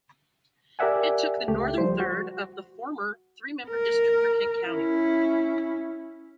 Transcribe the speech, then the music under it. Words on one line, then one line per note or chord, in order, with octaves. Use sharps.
It took the northern third of the former three-member district for Kent County.
G4 A#4 D5 E5 F#5 G#5
C#2 A3 G4
F3 G3 C5
F#4
A#4
C#4 E4